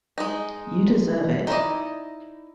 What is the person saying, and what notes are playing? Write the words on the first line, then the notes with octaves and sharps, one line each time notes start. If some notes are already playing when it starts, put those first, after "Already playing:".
You deserve it.
G#3 D#4
D#4 E4 A#4 D5 D#5